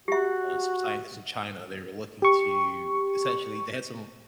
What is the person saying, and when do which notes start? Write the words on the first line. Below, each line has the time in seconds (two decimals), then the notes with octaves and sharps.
uh, some scientists in China, they were looking to essentially, they had some
0.08 F#4 G4 E5
2.22 G4 C#6